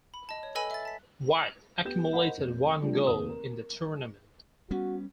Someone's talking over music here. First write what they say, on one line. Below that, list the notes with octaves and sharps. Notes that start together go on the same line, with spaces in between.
White accumulated one goal in the tournament.
B5
D#5 A5
C#5
A4 B4 D#5 G#5 B5 E6
E5 A6
A5 B6
B3 G4 G6 E7
A#4 C5 D#5 F#5 B5
F1
D3 F3 G3 A3 D4
F1 D#2 A#4 B4 D#6 E7
A#4
G3 B3 C#4 F#4